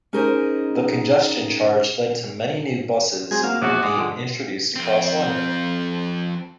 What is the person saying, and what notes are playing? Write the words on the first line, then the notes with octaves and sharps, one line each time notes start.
The congestion charge led to many new buses being introduced across London.
C#4 D#4 G#4 A#4 C5 D#5
F#3 G#3 C4 G#4
A#3 F#4 F5
A#1 E2 F#4 D5 D#5 D6
G#3 F#5
D3 F3
F2 C4